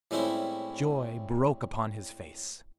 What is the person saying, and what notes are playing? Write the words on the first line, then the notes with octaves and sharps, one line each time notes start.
Joy broke upon his face.
A2 G3 G#3 C4 C#4 E4